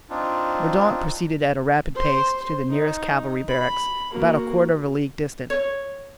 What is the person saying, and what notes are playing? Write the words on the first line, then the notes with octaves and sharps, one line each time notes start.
Mordaunt proceeded at a rapid pace to the nearest cavalry barracks, about a quarter of a league distant.
C4 D4 D#4 F4
C5 C6
D#4
B5
A#3 F#4
C#5